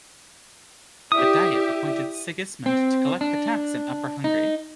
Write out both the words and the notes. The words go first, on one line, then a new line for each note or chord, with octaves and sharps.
The Diet appointed Sigismund to collect the tax in Upper Hungary.
E4 G4 D5 E5 D#6
C4
D4
D#4